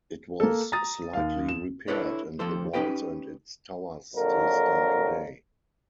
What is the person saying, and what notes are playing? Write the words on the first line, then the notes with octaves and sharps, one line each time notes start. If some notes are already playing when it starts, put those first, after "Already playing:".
It was slightly repaired and the walls and its towers still stand today.
A#3 A4
A#5 D#6 A6
D#2 F5
E7
D4 E4 A4 B4 C#5
F2 F3 A4 C5
C#4 D#4 G4 B4 G5
A#1 F2 D3 F#3 A#4